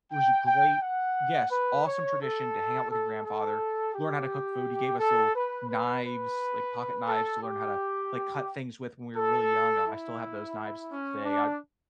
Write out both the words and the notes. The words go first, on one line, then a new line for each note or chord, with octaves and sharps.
It was a great Yes, awesome tradition to hang out with your grandfather, learn how to cook food. He gave us little knives, like pocketknives to learn how to, like, cut things with when we were really young. Oh, I still have those knives t today. I
G5
G5
F#5
B4
C#5
A4
A4
A4
G4
A4
B4
B4
B4
A4
G4
A4
E4
C#4
D4